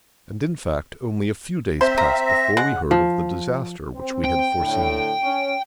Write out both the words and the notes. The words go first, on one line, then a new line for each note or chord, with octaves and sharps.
And, in fact, only a few days passed before we heard of the disaster which we had foreseen.
C4 C5 E5 A#5
F5 A#5
A#6
C#3 G#3 F#5
F3
C4
G5
A2 D3
C#4